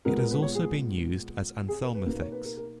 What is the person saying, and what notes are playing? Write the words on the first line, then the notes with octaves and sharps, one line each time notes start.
It has also been used as anthelminthics.
A#2 G#3 B3 A#4
A#4
B4
C#5
G#4
G#4
A#4
B4
B2 A#3 D#4 B4
C#5
B4
A#4
A#4